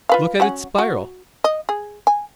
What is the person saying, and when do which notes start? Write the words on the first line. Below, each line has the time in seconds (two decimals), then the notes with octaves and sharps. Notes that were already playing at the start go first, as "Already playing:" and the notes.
"Look at its spiral!"
0.09 F4 B4 F5
0.40 F#3 C#4 F#5
0.78 F#4
1.44 D#5
1.69 G#4
2.07 G#5